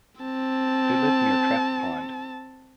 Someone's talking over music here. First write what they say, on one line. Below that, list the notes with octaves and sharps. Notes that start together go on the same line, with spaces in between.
They lived near Trap Pond.
C4 A5